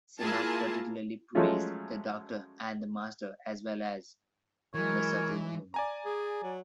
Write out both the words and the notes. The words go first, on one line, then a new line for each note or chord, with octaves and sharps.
Sinnott particularly praised the Doctor and the Master, as well as the "subtle humor".
A#3 E4 F4 G#4 A5
F3 F#3 G#3 A3 C#4 F4
E3 F#3 G#3 A#4 C#5
D5 G#5 A#5
G#4
F#3